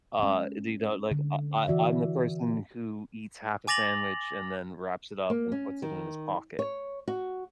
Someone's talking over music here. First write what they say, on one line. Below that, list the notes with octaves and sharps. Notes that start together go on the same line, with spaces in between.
Uh, do you know like, I I I'm the person who eats half a sandwich and then wraps it up and puts it in his pocket.
G#3 C#4
D3
E3 F#4 D5 E5
G#5 D6 A6 A#6 F7 F#7
A#3
C#4
D#3
C#5
F#4